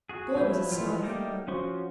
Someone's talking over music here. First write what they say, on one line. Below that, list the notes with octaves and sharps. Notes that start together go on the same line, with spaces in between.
Gore was a sly fellow.
F#4 G#4
F3 F#3 E4 G6
E3 F3 G3 F4
G3 A3 A#3 D#4 G4
F3 C#4 F#4 C5 C#6